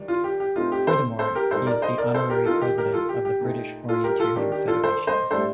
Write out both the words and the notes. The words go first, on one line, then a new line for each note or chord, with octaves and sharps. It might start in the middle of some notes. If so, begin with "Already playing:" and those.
Furthermore, he is the Honorary President of the British Orienteering Federation.
Already playing: D#3 G3 D4
F4
G4
G4
A#2 A3 C4 D#4 F4
G4
A4 C5
A4 C5
G4 A#4
A#2 G3 A#3 D#4 A4 C5
A#4 D5
C5 D#5
A#4 D5
A4 C5
G4 A#4
D#3 A#3 D#4 F4 A4
G4
G4 A#4
F4 A4
G4
G4
A#2 A3 D#4
F4 A4
G4 A#4
F4 A4
D#3 A#3 D4 G4
G4
F4 A4
A4 C5
C5 D#5
A2 G3 D4 A4 C5